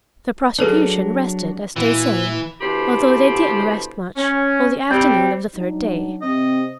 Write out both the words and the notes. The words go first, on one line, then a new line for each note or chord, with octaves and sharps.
The prosecution "rested," as they say, although they didn't rest much, on the afternoon of the third day.
F#3 D4 G#4 A4 B4
A#2 E3 E4 F#4
B2 D3 E3 G4 C5 B5
C#4
G3 C4
F#3 D4 D#4
C3 C4 D#5